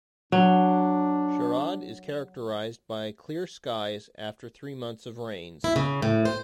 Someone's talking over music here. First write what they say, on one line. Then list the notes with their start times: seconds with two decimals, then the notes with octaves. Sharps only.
Sharad is characterized by clear skies, after three months of rains.
0.32 F#3 D4
5.64 E4
5.76 C#3
6.02 A2
6.25 C5